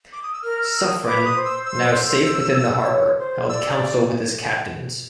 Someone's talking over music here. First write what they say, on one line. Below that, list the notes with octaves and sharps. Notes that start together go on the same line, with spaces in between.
Suffren, now safe within the harbour, held council with his captains.
D6
D#6
E6
A#4 F6
E6
D#6
B4 D6
D#6
C5
E6
E6
D5
C#5
C5
D5 E6